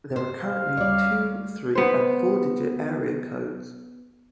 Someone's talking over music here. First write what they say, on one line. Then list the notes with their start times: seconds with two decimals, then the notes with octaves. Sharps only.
There are currently two-, three-, and four-digit area codes.
0.16 C5
0.45 F5
0.77 D2 G3 C#5 D5
1.75 B3 C5